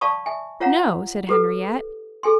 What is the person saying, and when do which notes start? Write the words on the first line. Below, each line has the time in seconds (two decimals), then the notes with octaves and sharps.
"No," said Henriette.
0.01 D5 F5 A5 B5 C#6 D#6
0.26 E5 G#5
0.60 F4 C#5 F5 F#5 A#5
1.29 G4 A4 B4 D#6
2.23 G#4 A4 G#5 C6